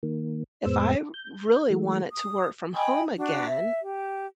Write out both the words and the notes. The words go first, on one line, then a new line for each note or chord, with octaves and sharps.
if I really wanted to work from home again
D#3 A#3
F2 A2 G#3 B3 C5 E6
G6
E3 G#3 A3
D#6
D#5 G5 G#5 B5
D4 F#4
E5
G4